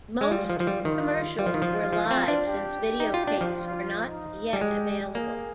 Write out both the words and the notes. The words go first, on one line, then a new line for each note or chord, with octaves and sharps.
Most commercials were live since videotapes were not yet available.
G#3
G3 F4
F3
F3
G3
D#3 F4
G3 F4
F3
D#3
F3
F3
C4
D4
G4
D#4
F4
D4
F3
F4
D#4
G3
G#3 G4
A#3 G#4